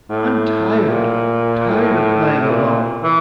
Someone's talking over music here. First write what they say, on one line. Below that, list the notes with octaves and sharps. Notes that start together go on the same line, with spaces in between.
I'm tired--tired of playing alone.
A2
A#2
A2
A2
A#2
E3